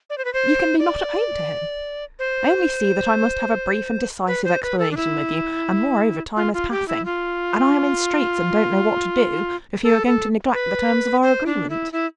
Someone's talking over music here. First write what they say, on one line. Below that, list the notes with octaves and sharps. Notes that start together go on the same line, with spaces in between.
You can be not at home to him; I only see that I must have a brief and decisive explanation with you, and, moreover, time is passing. And I am in straits and don't know what to do if you are going to neglect the terms of our agreement.
D5
C5
B4
C5
D5
C5
B4
C5
B4
A4
D4
E4
F4
F4
G4
E4
F4
A4
A4
B4
C5
D4
E4
E4